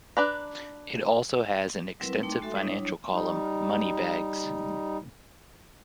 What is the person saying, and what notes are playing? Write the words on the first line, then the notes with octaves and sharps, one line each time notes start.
It also has an extensive financial column, "Moneybags".
D4 B4 A#5
F#3 G3 C4 E4 A#4 B4
A3 D#4 G5 C6 D6
G#3 F#4 A4 E5 C6
F#3 G3 D4 E4 C#5 D#6
G3 D#4